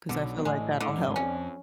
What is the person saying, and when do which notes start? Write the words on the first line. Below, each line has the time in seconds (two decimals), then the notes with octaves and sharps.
'Cause I feel like that'll help.
0.09 B1 B2 D3
0.38 B2
0.45 A1 A2 G#3
0.80 A2 D3
0.89 G#2
0.98 F#2
1.06 G#1 G#2
1.16 F2 C#4